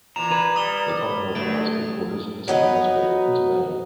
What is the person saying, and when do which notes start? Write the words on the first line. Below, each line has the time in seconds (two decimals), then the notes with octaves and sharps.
The Commonwealth Court's headquarters is in Harrisburg, Pennsylvania.
0.16 A#2 E3 A#5 E7 F7
0.31 B4 G#6 E7
0.56 G3 D#6 E7 G7
1.35 G2 D3 F#3 A3 D7
2.48 F#3 B3 D#4